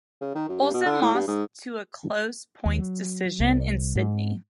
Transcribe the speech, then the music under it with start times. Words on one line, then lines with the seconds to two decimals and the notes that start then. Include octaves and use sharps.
Olson lost to a close points decision in Sydney.
0.21 C#3
0.35 D#3
0.49 F#2
0.62 G2
0.74 B2
0.86 D3
1.02 A2
1.15 G2
1.28 G#2
2.66 D#2
2.78 F#3
3.40 C2
3.96 G#2